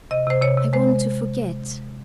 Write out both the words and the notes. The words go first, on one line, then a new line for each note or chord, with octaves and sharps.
I want to forget.'
C3 D#5
C3 C5
C3 C#5
C3
G#3 C5